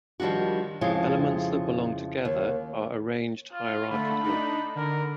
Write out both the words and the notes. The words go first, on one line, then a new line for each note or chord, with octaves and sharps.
Elements that belong together are arranged hierarchically.
D#3 F3 G3 D4 F#4
F2 C#3 F3 G#3 E4 F4
D#2
F4
D3 A3 B5
D4 D#4
D3 A#4